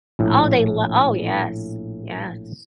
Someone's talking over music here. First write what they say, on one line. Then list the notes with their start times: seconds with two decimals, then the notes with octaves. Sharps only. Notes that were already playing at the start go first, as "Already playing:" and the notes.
Oh, they lo Oh, yes. Yes.
0.19 A#1 A2